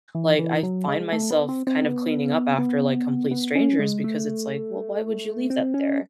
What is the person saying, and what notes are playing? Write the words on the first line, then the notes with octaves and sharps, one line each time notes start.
like, I find myself kind of cleaning up after, like, complete strangers because it's like, "Well, why would you leave that there?"
E3
E3
F#3
G#3
A3
B3
C4
C4
B3
B3
B3
C#4
G#3
A3
C4
C#4